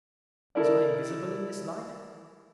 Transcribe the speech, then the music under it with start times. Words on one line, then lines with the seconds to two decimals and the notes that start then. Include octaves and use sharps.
Was I invisible in this light?
0.55 E4 A4 A#4 D5